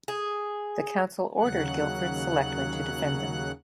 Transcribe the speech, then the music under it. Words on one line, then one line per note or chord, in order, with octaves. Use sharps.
The Council ordered Guilford's selectmen to defend them.
G#4
D#2 C#3 F#3 F#5 F#6